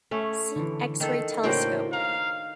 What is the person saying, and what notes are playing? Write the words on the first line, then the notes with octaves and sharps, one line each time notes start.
See X-ray telescope.
A3 C#4
D3 E3
D#3 A4
A2 C#3 A#3 D4 F#4 C5 G5
F5 A#5